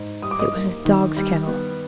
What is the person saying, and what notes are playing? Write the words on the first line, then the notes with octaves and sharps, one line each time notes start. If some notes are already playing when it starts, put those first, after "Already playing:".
It was a dog's kennel.
Already playing: G#2
G3 D#6
D6
D#5 D#6
A#3
D#3
G3
B3